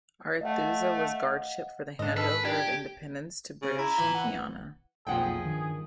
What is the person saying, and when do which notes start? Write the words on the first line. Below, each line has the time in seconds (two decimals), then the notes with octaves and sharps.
"Arethusa" was guard ship for the hand-over of independence to British Guiana.
0.41 A3 D#5 F5 F#5
1.99 G#2 D4 D#5
2.17 C#4 A4 B4
2.45 D4 G4 G#6
3.62 C#3
3.78 E4 A#5
3.98 E3
4.15 F#5
5.07 B1 F2 A#2 F3 G#4 F#5 G5
5.45 G2 D#3